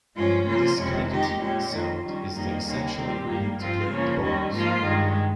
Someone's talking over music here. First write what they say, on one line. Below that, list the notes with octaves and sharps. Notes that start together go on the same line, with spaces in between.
This "click-it-y" sound is the essential ingredient to playing the bones.
G2 F3 G#3 C#4 F4
C#3 F3 A#3 F4
F2 C3 F3 G#3 C#4
D#3 G#3 D#4 G4
A#2 G#3 C#4 G4
D#3 A#3 F4
D#3 G3 C#4
F2 D#3 G3 A#3 D#4
D#2 D#3 A#3 C#4
D#3 G3 C4 G4
G2 G3 A#3
G2 F3 C4 F4
C#3 F3 A#3 C#4
D#2 D#3 G3 C#4
G#2 F3 A#3 F4
G2 D#3 G#3